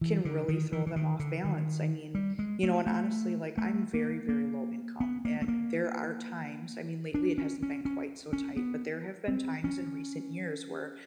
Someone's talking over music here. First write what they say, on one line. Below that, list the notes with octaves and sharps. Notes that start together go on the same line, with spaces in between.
can really throw them off balance. I mean you know, and honestly, like, I'm very, very low income, and there are times- I mean, lately, it hasn't been quite so tight- but there have been times in recent years where
E3
D3
D#3
E3
E3
D#3
D3
D#3
G3
G#3
A3
A3
A3
A#3
A#3
B3
A#3
A3
A#3
D4
C#4
C#4
C#4
C#4
B3
C4
C#4